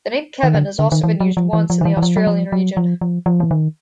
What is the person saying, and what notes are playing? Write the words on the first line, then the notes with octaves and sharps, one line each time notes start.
The name Kevin has also been used once in the Australian region.
D#3
D3
D3
D#3
E3
F#3
F3
E3
F3
D#3
E3
E3
F3
F#3
F3
F#3
F3
F3
F3
E3
D#3